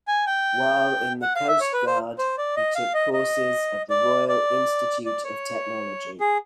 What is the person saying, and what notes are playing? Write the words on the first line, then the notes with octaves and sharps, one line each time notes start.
While in the coast guard he took courses at the Royal Institute of Technology.
G#5
G5
F#5
F5
E5
C#5
B4
C5
C5
D5
D#5
F5
D#5
D#5
D5
D5
D5
C#5
G#4